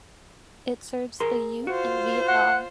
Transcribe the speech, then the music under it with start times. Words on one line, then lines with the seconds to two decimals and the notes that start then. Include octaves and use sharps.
It serves the youth in Vietnam.
1.20 G#4 A#4 C6
1.67 F4 F#4 C5
2.28 F#5